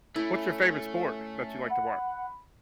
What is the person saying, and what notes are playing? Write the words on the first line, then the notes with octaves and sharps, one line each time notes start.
What's your favorite sport that you like to wat
A3 C#4 E4
F#5 B5